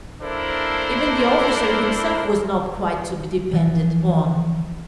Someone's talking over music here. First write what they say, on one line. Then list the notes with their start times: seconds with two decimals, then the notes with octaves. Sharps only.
Even the officer himself was not quite to be depended on.
0.22 A#3 D4 E4 A4 A#4 C5
3.53 E3 F3